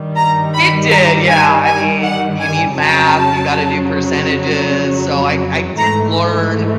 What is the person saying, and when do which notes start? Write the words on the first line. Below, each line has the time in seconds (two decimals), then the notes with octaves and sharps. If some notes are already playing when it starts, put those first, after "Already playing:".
it did, yeah, I mean, you need math, you gotta do percentages, so I I did learn
Already playing: G2 D#3 G3
0.16 A#5
0.54 B5
0.92 A#5
1.28 G#5
1.66 G#5
2.03 F#5
2.41 G#5
2.78 F2 C#3 F#3 A5
5.78 G#2 E3 A3 A#5